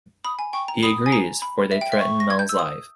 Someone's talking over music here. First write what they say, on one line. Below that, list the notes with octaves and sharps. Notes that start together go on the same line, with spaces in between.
He agrees; for they threaten Mel's life.
B5 D#6
G#5
G5 C#6
A#5
B5 D#6
G#5
A#5
B5
E5
G5
E5
C#6
A#6
G#6
G6
E6
D#6